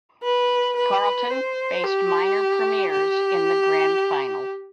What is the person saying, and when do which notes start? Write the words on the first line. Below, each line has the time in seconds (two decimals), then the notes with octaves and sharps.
Carlton faced minor premiers in the Grand Final.
0.23 B4
0.76 B4
1.30 C5
1.84 G4
2.92 G4